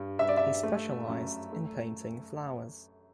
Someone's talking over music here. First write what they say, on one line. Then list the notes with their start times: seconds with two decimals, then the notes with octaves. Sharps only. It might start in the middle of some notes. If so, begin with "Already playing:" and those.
He specialized in painting flowers.
Already playing: G2
0.19 G2 E5
0.29 D5
0.37 E5
0.63 A3
1.08 F#2
1.53 A3